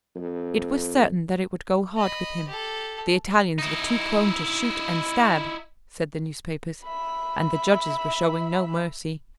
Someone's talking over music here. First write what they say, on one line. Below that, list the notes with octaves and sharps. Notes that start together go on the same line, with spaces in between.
It was certain that it would go hard with him. The Italians were too prone to shoot and stab, said the newspapers, and the judges were showing no mercy.
F2
D#5 B5
G4 A4
D#4 E4
E5 B5